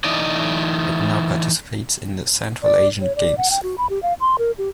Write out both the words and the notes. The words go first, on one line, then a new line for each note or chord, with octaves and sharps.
It now participates in the Central Asian Games.
E3 A3 D#4 D5 D#5
D5
C#5
D5
F#5
G5
F#4
B5
G4
F5
C6
A#4
G4